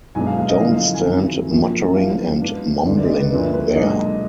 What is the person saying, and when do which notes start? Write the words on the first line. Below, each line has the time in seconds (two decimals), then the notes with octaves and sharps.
Don’t stand muttering and mumbling there.
0.15 B1 B2 G#3 B3 D4 G#5
0.26 F5
0.38 F5
0.49 D#5
0.60 F#1 F#2 D3 F3 F5
0.72 F5
0.94 G#5
1.05 F#1 F2 D#3 F#3
1.51 A#1 A#2 F3
1.96 F#1 F#2 F3 B3 D4 F5
2.41 G#2 F#3 B3 D4
2.86 D2 D3 G#3 B3 D5
2.97 D5
3.03 D#5
3.08 D5
3.19 B4
3.31 D2 D3 F3 A#3 B4
3.54 B4
3.75 B1 A#2 G#3 D4 D#5